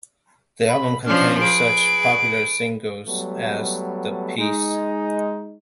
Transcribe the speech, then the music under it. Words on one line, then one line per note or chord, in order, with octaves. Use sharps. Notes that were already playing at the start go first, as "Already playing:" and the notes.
The album contained such popular singles as The Peace!
B5
F3 C#4 D4 F6
G#4 B4 D7
F#3 G3 A3 B3
G#3 D#4